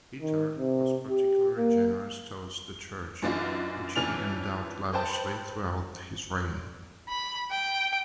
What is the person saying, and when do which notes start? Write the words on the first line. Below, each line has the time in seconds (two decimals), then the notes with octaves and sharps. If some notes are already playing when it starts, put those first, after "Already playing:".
Petar was particularly generous towards the Church, which he endowed lavishly throughout his reign.
0.21 D#3
0.58 C3
1.10 G4
1.56 A#3
3.22 F#2 E3 D4 D#4 F4 F#4
3.95 F2 E3 C#4 D4 F6 F7
4.93 B4 C5 G5 A5
7.08 B5
7.51 G5